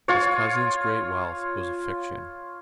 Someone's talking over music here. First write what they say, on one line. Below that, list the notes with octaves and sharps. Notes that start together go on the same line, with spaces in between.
His cousin's great wealth was a fiction.
F4 C#5